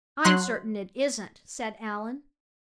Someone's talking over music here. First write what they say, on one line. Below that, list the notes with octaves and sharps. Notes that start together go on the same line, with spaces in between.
"I'm certain it isn't," said Allan.
F#3 C6 F#6